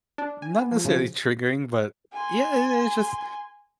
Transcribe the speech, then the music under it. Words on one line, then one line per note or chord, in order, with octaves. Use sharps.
not necessarily triggering, but yeah, it it's just
D4
G#5
B3
F3
C#3 F3
G#5 C6